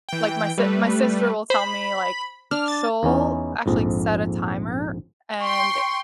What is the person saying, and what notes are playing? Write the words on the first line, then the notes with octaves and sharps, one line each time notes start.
like, my s my sister will tell me, like, she'll actually set a timer and
E3 G5
G3 A3 B4
C5 B5
D4 F6
A6
E2 E3 C#4 D#4
A#1 F2 G#2
G5 C6 C#6